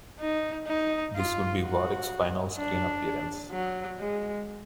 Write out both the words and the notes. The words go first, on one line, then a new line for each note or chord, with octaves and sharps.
This would be Warrick's final screen appearance.
D#4
D#4
F4
F#4
D4
F#3
G#3